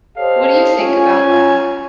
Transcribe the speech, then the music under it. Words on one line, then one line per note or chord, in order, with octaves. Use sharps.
What do you think about that?
G4 A4 C5 C#5 D#5 F5
C#4 F4 G#5